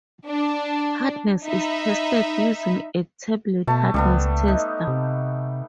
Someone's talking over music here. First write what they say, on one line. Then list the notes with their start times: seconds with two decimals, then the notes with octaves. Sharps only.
Hardness is tested using a tablet hardness tester.
0.28 D4
1.45 D#4 E5 B5
3.67 B2 A3 A5
3.94 C#2 G3 A3 B3
4.48 D#4
4.88 C3